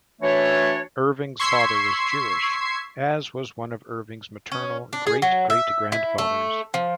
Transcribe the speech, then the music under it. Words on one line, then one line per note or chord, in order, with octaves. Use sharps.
Irving's father was Jewish, as was one of Irving's maternal great-great-grandfathers.
E3 A3 D4 F#4 C#5
C6 C#6 E6 G#6 B6 C7
C#4
D4
G#4
F#3
E5
E4
A3
F3